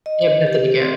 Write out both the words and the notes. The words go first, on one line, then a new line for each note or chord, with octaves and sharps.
You have nothing to give.
D#5
G4
C4